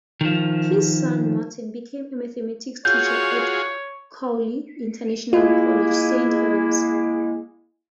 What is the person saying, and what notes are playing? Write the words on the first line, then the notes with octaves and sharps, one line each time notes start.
His son, Martin, became a mathematics teacher at Cowley International College, Saint Helens.
D#3 F3
F4 F#4 G#4 C#5 G6
G#3 A#3 E4 F4